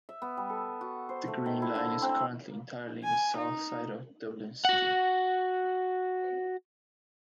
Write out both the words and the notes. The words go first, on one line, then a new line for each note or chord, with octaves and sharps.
The Green Line is currently entirely in the south side of Dublin city.
E5
B3
G3
A4
F#4
C5
A3
D#3
E4
D3
C4
G#5
D#4
F#4 F#5